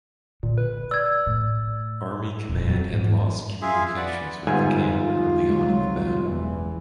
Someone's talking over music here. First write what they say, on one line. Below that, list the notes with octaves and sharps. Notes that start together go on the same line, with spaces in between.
Army command had lost communications with the camp early on in the battle.
A#2 D3
B4
D5 E6 G#6
A2
D#1
F#3
G#2
F4 G#4 E5
B4 D5 F#5
G1 G#2 B3 F4 G#5
F4
C2 C3 F#3 G#3
F#1 E2 E3